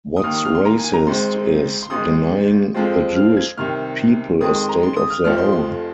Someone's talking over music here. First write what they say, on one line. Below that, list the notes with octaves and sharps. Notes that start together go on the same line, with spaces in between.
What's racist is denying the Jewish people a state of their own.
D#6
D#2 D#3 A#3 F6
D#6
F6
C6
A#5
G#5
A#5
G#1 G#2 G#3 C4 C6
C6
G#1 G#2 G#3 D#6
F2 F3 G#3 C4
F6
G#6
C2 C3 D#3 F6
F2 D#3 G#3 D#6
C6
A#5
C6
D#6
F6
F1 F2 F3 F6
C6
C6